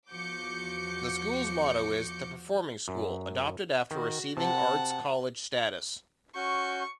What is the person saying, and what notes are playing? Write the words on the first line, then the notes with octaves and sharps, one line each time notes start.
The school's motto is "The Performing School", adopted after receiving Arts College status.
E2 F3 F#4 D6 G6 C#7
F#2
D#3 F#4
C3 F#5 A5
C#4 F#4 C#6 G6